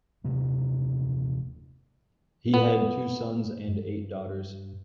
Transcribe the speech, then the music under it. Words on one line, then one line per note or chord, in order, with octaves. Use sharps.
He had two sons and eight daughters.
D#1 C3 A#3
B3
G2